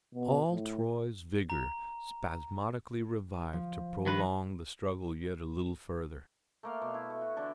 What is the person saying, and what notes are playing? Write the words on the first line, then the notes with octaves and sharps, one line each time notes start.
All Troy's vigour spasmodically revived to prolong the struggle yet a little further.
B2
A2
A#5
F3
D#3 B4
A3 A#3 F5
B2 C6
E4
A3
F#4
D3 E3 D4